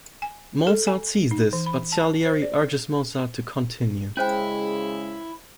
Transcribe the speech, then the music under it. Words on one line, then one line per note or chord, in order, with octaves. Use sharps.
Mozart sees this, but Salieri urges Mozart to continue.
G#5
A4
G#5
D#4
E3
B5
A5
C5
D5
C#3 G#3 C#4 E4 C5 G5